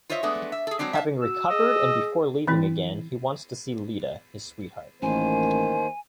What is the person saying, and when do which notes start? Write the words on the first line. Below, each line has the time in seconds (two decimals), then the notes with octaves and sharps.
Having recovered and before leaving again, he wants to see Lida, his sweetheart.
0.09 F4 C5 C#5 D#5 E5
0.23 G#3 A3 B3 D4
0.52 E5
0.67 G#4 A4
0.79 F#3 G#3 C4 D4
0.93 E5 F5 A5
1.22 F#4 E6
1.50 G#4 D#5
2.47 E3 C4 E4
5.02 A1 D#3 A#3 C5 G#5